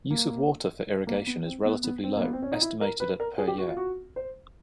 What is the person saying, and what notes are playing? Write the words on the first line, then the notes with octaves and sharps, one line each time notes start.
Use of water for irrigation is relatively low, estimated at per year.
A#3
A#3
B3
C4
B3
B3
C4
A#3
B3
C4
C#4
D#4
E4
A#4
B4
A#4
G#4
G4
F#4
F4
F#4
C5